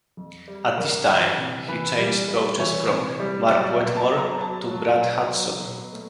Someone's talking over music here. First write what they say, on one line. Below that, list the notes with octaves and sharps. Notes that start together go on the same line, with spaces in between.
At this time he changed coaches from Mark Wetmore to Brad Hudson.
F2
G3
F2 A#4
E3
C3
E3 B4
G3
G3
E3 C#5
C3
G3
F#3 D5
E5
B2
A5
F#3
A#5
F#3 A5
F#3
B2
F#3
B2
A3